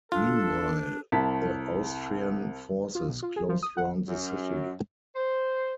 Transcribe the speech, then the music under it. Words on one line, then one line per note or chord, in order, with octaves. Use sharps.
Meanwhile, the Austrian forces closed round the city.
D4 F4 A4
C2 A5 B6
F4
B1
F4
G#4
F3
D#6
F#5
F#2
C5